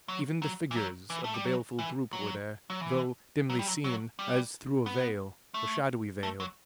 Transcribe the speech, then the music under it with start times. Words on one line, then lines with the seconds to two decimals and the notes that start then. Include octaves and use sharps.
Even the figures of the baleful group were there, though dimly seen as through a veil--a shadowy veil.
0.08 F#3
0.42 F#3
0.71 E3
0.76 F#3
1.10 E3
1.24 A3
1.34 G3
1.45 F#3
1.79 E3
2.13 F#3
2.70 F#3
2.81 E3
3.50 F#3
3.59 G3
3.67 F#3
3.84 F#3
4.19 G3
4.86 B3
5.54 A3
6.23 A3
6.40 F#3